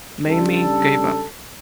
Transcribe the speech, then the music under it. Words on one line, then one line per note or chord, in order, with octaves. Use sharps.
Mamie gave up.
C#3 G3 D4 A4